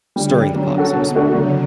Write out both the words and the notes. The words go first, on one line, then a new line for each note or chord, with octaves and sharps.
"Stirring the pot", so to speak
D3 G3
D4 G4
D3 F#3
C#4 F#4 A4
B2
A3 D4 F#4 A4
C#3 F#3